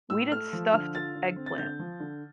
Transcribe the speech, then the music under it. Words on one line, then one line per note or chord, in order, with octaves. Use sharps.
We did stuffed eggplant.
A2 E6
A3 F6
F3
D3 F6
F4 A6
D3
C4
A6
D3 G6
F3
D3